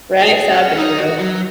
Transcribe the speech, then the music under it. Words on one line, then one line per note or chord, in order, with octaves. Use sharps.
Right, sad but true.
G#4
C#4
D#4
F#4
F#3